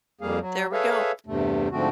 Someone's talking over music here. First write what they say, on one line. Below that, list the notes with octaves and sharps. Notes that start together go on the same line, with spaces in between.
There we go.
F2 G3 A#3 G#4 F5
F#3
G#4 A4 B4 C#5 E5 F5
E2 G2 C3 A3
G#2 D3 F3 A3 C4 F#4